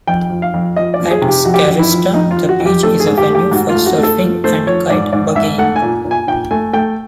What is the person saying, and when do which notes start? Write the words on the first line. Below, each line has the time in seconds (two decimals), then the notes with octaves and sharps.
At Scarista the beach is a venue for surfing and kite buggying.
0.07 F2 G5
0.30 F3
0.42 F5
0.54 F2
0.76 F3 D#5
0.94 D5
0.99 F3
1.11 G#4
1.22 C3
1.28 G4
1.45 F2 F#4
1.54 G4
1.63 F#4
1.68 F2
1.79 E4
1.92 F3
2.14 F2 D#4
2.31 F4
2.37 F3
2.49 F#4
2.60 F2
2.66 G4
2.83 A3 A4
3.00 G#4
3.07 G#2
3.18 G4
3.29 A3
3.35 G4
3.51 G#2 F#4
3.69 F4
3.75 A3
3.86 F#4
3.98 A3
4.03 A4
4.21 F3
4.44 A3 C5
4.66 F3 C#5
4.90 G#2 D5
5.13 G#2 D5
5.35 G#2 E5
5.58 A3 F#5
5.76 G#5
5.82 A#2
6.05 A#2
6.11 G#5
6.27 A#2 G5
6.51 A3 G#5
6.73 A3 G5